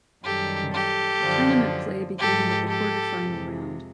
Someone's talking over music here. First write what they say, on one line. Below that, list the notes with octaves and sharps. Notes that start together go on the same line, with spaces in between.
Tournament play began with the quarterfinal round.
F#2 D#3 G3 G4 A4
G4 A4
F#2 D3 F3
G#2 F3 G#3 G4 A4
G4 A4
F2 C3 F3 G#3